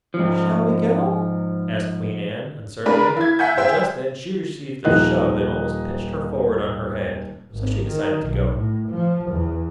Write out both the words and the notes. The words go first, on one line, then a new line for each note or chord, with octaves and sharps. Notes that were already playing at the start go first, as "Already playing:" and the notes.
"Shall we go?" asked Queen Ann, uncertainly; but just then she received a shove that almost pitched her forward on her head; so she decided to go.
G#2 F3
G#3 D4 A#4 B4
E4 G#6
E5 F#5 G#5 G6
G#4 C5 E5 G5
D#1 F3 D#4 D#5 F#6
G#1
D#3
B1
A2
F3
E2